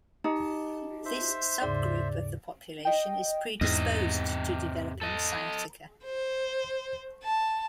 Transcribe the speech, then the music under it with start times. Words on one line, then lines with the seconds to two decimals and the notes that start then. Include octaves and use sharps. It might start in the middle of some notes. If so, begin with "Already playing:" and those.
This subgroup of the population is predisposed to developing sciatica.
0.24 D#4 G4 A5
1.05 C5 E5
1.62 D#2 G#2 C#3 D5
2.85 D#5 G5
3.61 E2 G#2 C3 D#5
5.01 A4 D#5
6.04 C5
7.24 A5